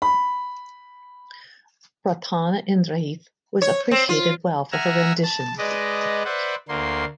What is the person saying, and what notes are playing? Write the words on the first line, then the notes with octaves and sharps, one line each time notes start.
Prarthana Indrajith was appreciated well for her rendition.
B5
C#5
C4
F4
E5 F#5 G#5 A#5 E6 F6
A5
G#3 B4 D5 D#5
B4 C5 D5 E5 F#5
D2 D3 A#3 C6